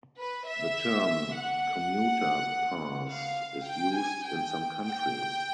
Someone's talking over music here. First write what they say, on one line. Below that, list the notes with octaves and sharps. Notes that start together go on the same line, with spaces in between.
The term "commuter pass" is used in some countries.
B4
E5
F#5
F5
G5
G#5
G5
G5